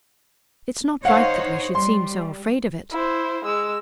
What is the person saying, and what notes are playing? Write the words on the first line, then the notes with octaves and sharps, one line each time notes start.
It's not right that we should seem so afraid of it.
D#4 C5 C#5 F5 F#5
G3 C6
E4 C5
G#3 E6